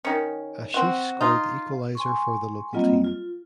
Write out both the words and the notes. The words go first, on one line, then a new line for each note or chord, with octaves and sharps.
Ashish scored the equalizer for the local team.
D#3 C#4
C4 F#4
D#4 F4
G#5 C6 C#6
F#3 G3 A#3 C4 F4 D#5
F4